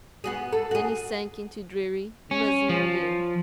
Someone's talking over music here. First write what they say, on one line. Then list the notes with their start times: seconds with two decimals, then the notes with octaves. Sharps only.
Then he sank into dreary musing again.
0.24 B3 F#4 G#4
0.52 A4
0.71 F#4 G#4
2.31 C#4
2.69 F3